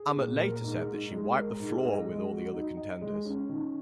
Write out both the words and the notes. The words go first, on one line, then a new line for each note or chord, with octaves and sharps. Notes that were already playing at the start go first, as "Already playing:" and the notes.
Amott later said that she wiped the floor with all the other contenders.
Already playing: G#4
A#2
A#4
G#2
D#4
G#3
A#4
G#2
D#5
G#3
F#4
D#4
D#5
G#3
C#4
D#3